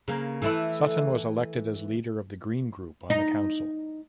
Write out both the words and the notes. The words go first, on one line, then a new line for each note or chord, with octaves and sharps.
Sutton was elected as leader of the green group on the council.
C#3 A#3
E3 A3 E4
D#4